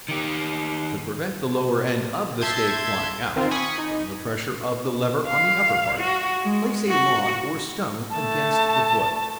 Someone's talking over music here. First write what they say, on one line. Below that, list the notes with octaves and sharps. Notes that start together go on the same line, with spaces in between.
To prevent the lower end of the stake flying out, from the pressure of the lever on the upper part, place a log or stone against the foot.
D#3 G4
E5 A5 C6 G6 G#6
D#3 C4 F4 A#4
G#5 B5 C#6 D#6
D#4
F5
F#4
G#3
F#4
A3 A5